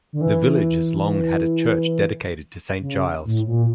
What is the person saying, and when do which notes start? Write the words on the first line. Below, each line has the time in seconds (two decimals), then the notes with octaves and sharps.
The village has long had a church dedicated to Saint Giles.
0.13 D3
0.21 E3
2.81 C#3
3.24 A2
3.47 A#2